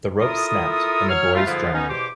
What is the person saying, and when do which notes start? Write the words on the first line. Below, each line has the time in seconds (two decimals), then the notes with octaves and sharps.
The rope snapped, and the boys drowned.
0.20 E4 F4 A4 A#4 D#6
1.08 F#3 C#5 F6
1.34 G3 A3 F4
1.46 G#2 D3 F3 B3 E4 F4
1.73 B3 C#4 D#4
1.89 E2 B2 G4 C5 D6